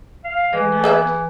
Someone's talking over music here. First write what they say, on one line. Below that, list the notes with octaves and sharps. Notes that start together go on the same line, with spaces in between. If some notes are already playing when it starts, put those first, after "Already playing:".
I'm not
F5
E3
G#4 B4 E5